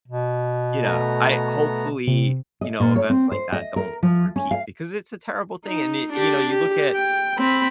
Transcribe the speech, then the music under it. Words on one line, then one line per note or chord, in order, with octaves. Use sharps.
you know, I hopefully, you know, events like that don't repeat, because it's a terrible thing, and, i you know, you look at
B2
A3 B3 A#5
C3
D#5
A#2
C#5
C4
C5
D#5
A#4
F3
C#4
F5
D#4
D4 G4
G4
G5
C4 B5